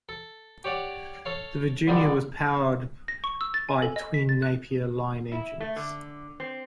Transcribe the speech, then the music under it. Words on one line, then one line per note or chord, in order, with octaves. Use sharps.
The Virginia was powered by twin Napier Lion engines.
A4
G4 C#5 D5 F#5
A4 C#5 F5
C2 F2 D3 G3 D4
A#6
C#6
E6
A6
G#5
A4
D#5
B6
A6
F#6
E4
A3
D3
C4